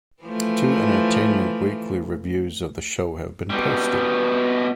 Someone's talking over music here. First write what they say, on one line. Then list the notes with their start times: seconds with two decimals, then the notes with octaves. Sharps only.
Two "Entertainment Weekly" reviews of the show have been posted.
0.23 E3 F3 A3
3.50 B2 G3